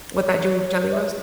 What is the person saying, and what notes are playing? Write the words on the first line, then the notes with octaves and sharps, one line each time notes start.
what that June's Deli was?
C#5
E5
C#5